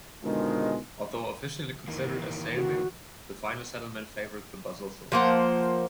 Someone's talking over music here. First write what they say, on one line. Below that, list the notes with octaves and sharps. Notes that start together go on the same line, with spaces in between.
Although officially considered a stalemate, the final settlement favoured the Basotho.
B2 D3 D#3 F3 G#3
D#3 E3 A#3
F#4
F3 A#3 C5 F#5